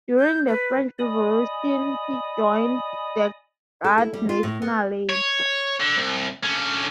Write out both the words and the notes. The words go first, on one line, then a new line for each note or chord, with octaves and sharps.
During the French Revolution, he joined the "Garde Nationale".
G6
B4
D5 D#5 G#5 B5 D#6
A4
E4
G3
F4
A2
B3
C#5
D3
C2
D3 C#4